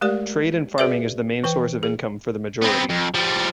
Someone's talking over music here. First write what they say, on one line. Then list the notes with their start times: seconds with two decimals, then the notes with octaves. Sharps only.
Trade and farming is the main source of income for the majority.
0.01 G#3 A3 G4 A#4 D5
0.78 F#4 G#4 B4 D5 E5
1.44 E3 B4 G5
1.83 G#4
2.62 B3 C4
2.89 F2
3.14 F3 G3